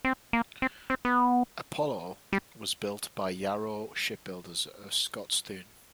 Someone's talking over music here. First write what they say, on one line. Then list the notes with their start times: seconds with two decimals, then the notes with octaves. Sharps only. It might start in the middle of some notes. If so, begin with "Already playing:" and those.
"Apollo" was built by Yarrow Shipbuilders of Scotstoun.
0.05 C4
0.33 A#3
0.62 C4
0.90 C4
1.05 B3
2.33 G3